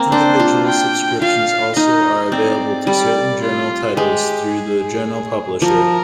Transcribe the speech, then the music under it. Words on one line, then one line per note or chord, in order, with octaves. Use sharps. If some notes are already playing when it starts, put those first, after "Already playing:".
Individual subscriptions also are available to certain journal titles through the journal publisher.
Already playing: A#3 C4
D4 C5
F4
G5
F4 F5
D#4 D#5
C4 D5
G3 D5
F4
G#3 G4
G#4
F3 A#4